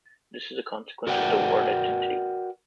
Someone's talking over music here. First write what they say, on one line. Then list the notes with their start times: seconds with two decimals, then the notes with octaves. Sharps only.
This is a consequence of the Ward identity.
1.07 F#4 A#4 B4 D5 F#5 G5